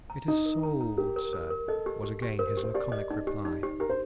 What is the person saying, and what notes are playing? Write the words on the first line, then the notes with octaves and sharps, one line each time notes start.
"It is sold, sir," was again his laconic reply.
A#5
D#4 A#5
A#4
A#5
A#5
G4 A#4
A#4
A#4
A#4
A4 D#5
G4
G4
G4
A#4 C5
G4
C5
G4 D5
D#5
D#4
G4
D#4
G4
G4 A#4
C5